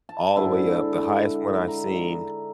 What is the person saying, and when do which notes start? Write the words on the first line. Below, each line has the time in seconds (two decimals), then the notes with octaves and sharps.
all the way up the highest one I've seen
0.09 A5
0.37 G#2 D3 E4
1.68 A#5